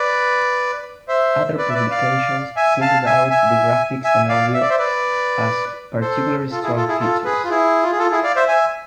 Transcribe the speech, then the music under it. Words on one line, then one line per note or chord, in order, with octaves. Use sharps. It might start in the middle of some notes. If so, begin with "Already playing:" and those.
Other publications singled out the graphics and audio as particularly strong features.
Already playing: B4 D5
C5 E5
B4 D5
E5
B4 D5
D5 F5
E5 G#5
F5 A5
E5 G#5
E5 G#5
E5 G#5
D5 F5
E5
D5
C5 E5
B4 D5
A4 C5
F4 A4
E4 G#4
F4 A4
E4 G#4
F4 A4
G#4 B4
F4
E4 G#4
F4
G#4
F4 A4
E4 G#4
D5 F5
C5 E5
E5 G#5